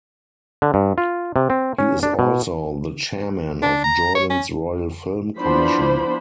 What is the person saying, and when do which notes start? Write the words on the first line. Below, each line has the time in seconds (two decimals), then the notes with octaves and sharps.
He is also the chairman of Jordan's Royal Film Commission.
0.62 D3
0.74 G2
0.98 F4
1.36 C3
1.50 C4
1.79 C#4
2.03 D4
2.19 B2
3.62 D4
3.84 A#5
4.15 C#5
4.30 C#4
5.39 F3 B3 D4 E4 C5 B5